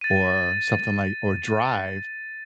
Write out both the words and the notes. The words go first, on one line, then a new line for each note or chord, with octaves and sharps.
or something like or drive
A6 D#7